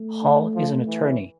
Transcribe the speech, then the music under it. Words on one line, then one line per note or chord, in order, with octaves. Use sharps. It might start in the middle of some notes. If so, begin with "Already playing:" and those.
Hall is an attorney.
Already playing: A3
D3
F3
E3